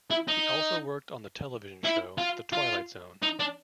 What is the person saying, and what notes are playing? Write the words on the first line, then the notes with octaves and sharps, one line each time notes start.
He also worked on the television show "The Twilight Zone".
E4
D#4
E4
F4
F4
D#4
D4